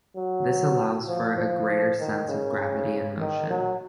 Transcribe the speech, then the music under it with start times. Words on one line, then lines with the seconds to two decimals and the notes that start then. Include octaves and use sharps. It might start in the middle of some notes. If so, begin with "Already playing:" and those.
This allows for a greater sense of gravity and motion.
0.16 F#3
1.08 F3
1.38 F3
1.99 D#3
2.29 C#3
3.20 D#3
3.50 F#3